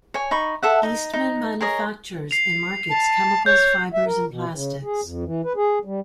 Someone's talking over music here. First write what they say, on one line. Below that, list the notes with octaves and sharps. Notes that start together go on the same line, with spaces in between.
Eastman manufactures and markets chemicals, fibers and plastics.
C#5 G#5
D#4 B5 C#6
A4 E5 F#5
D#4
D#4
G#4 A#4 C#5 D#5
C7 F7
A5
C#5 G6
E5
A#4
B2
C#3
G#4
F2
E3
B4
G#4
G3